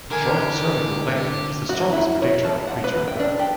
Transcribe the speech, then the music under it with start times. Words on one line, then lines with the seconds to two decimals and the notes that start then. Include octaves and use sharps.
Short cervical length is the strongest predictor of preterm birth.
0.11 D3 G4 A#4 G#5
1.69 F#4
1.93 E4
2.22 C#5
2.45 A5
2.67 F#5
2.84 B4
3.08 G5
3.19 D4
3.39 G4